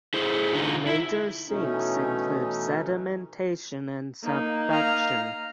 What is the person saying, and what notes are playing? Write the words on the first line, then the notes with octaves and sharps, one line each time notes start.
Major sinks include sedimentation and subduction.
E4 G#4 C5
D3 D#4 F4
E4
B2 E3 A3 C#4 D#4
A#3 D#4
F5 A#5